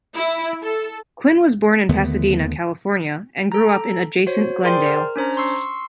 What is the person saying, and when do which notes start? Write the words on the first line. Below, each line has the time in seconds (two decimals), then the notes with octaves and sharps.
Quinn was born in Pasadena, California, and grew up in adjacent Glendale.
0.15 E4
0.63 A4
1.89 D#2 D3 A3 B3
3.52 A4 A#5
4.27 F#4 C5 C#5
4.63 G#4 A#4 C5 D5 G5 C6
4.86 A#4 F6
5.16 C#4 D4 C5 A#5
5.37 C6 C#6 E6 C7